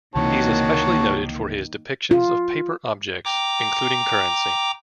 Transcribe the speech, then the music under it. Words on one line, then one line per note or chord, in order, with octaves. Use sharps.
He is especially noted for his depictions of paper objects, including currency.
C#2 C3 D#3 E3 A#3 F#4 C#5 A5
F4
G5 A#5 D6